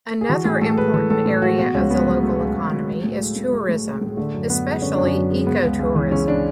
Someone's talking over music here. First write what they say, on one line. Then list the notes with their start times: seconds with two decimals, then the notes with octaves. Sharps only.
Another important area of the local economy is tourism, especially eco-tourism.
0.21 G#4
0.29 E3 F#4
0.45 A2 G#4
0.61 A2 A4
0.77 G#3 B4
0.94 E3 A4
1.10 A2 A4
1.26 A2
1.42 G#3 F#4
1.58 B2 F#4
1.74 C#2 C#4
1.91 C#2 B3
2.07 F#3 G#3
2.23 B2 A3
2.40 C#2
2.56 C#2
2.72 F#3
2.88 G#3
3.04 A2
3.20 G#3
3.36 A2
3.53 G#3 A3
3.69 A2
3.85 G#3
4.01 A2
4.07 G#3
4.17 D3 A3
4.33 F#2
4.50 F#2 B3
4.66 G#3
4.82 D3 C#4
4.94 F#2 D4
5.06 C#4
5.15 F#2
5.31 G#3
5.47 C#3 B3
5.63 C#2
5.79 C#2
5.96 E3
6.11 C#3 C#4
6.28 D4